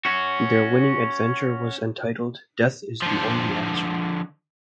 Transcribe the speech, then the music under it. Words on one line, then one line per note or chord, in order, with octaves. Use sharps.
Their winning adventure was entitled "Death Is the Only Answer".
C#4 F#4
D3 F3